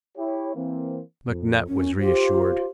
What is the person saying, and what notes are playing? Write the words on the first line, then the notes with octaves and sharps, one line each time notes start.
McNutt was reassured.
E4 G4 C#5
E3 A#3 C4
F2
F#2 C#4
F4 G4 C5